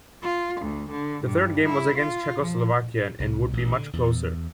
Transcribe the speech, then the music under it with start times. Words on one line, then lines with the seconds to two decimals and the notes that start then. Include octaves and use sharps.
The third game was against Czechoslovakia and would be much closer.
0.23 F4
0.61 D2
0.91 D3
1.24 G2
1.66 E4
1.98 F4
2.41 F3
3.20 C2
3.53 A1
3.72 D3
3.93 E2